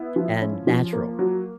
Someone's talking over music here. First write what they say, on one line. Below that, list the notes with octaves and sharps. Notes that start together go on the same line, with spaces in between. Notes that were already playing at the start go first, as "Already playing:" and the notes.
and natural,
Already playing: B3 E4
F3
C#4
F3
A#3
F#3